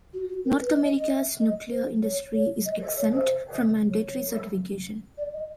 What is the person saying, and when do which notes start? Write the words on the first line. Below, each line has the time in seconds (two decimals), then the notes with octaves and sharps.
North America's nuclear industry is exempt from mandatory certification.
0.14 F#4
0.29 F#4
0.45 A#4
0.61 B4
0.76 D#5
0.97 D#5
1.08 E5
1.40 D#5
1.71 C5
2.02 C#5
2.34 C#5
2.66 D#5
2.81 D#5
2.97 C#5
3.13 C5
3.91 C#5
5.18 D5
5.34 D#5